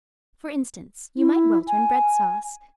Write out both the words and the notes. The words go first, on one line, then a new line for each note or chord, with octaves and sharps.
For instance, you might welter in bread-sauce.
E4
G#5